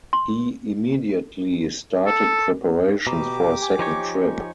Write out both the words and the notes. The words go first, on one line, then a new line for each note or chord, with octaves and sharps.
He immediately started preparations for a second trip.
C6
A4
B2 G4 A#5 D6
G#5
F3 D#4 C#5